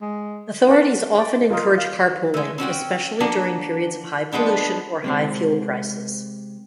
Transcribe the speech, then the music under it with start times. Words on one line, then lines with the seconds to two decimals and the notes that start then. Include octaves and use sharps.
Authorities often encourage carpooling, especially during periods of high pollution or high fuel prices.
0.01 G#3
0.69 A#4 D5 F#5 A5
1.18 D5
1.50 F4 A#4 D#5
1.78 F5
2.34 G#3 A3
2.58 C4 C#4 F#4 G5
3.20 F3 A#3 D4 F#4
4.32 F3 G#3 B3 D4
5.04 C3 G#3 C4